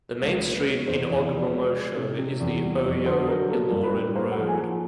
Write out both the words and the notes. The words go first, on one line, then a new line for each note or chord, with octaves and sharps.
The main street in Ogbomosho is the Oyo-Ilorin road.
C#2 A4
B4
A#3
B4
B2
C#5
E2 C5
C#5
E2
D5
F3
D5
G#3
G#3
C3
C3
E2
G3
F2 C#5
D3 C5
F#3 A#4
A#3 A4
G2
B4
G3
A#3 C5
F#5
F3
G#5
F3